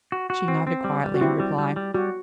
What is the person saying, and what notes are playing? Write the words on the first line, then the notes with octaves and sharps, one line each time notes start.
She nodded quietly in reply.
F#4
F#4
C4
C4
G3
G3
F#4
C4 E4 G4
G3
G3
G3
G3 F#4